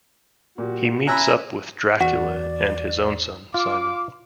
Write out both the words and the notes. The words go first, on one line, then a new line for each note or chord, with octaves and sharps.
He meets up with Dracula and his own son, Simon.
A#2 F#4 G4
C#4 E5 G#5 A#5 B5 E6 F#6
E2 F#4 D5 F#5
F4 F5 C6 D6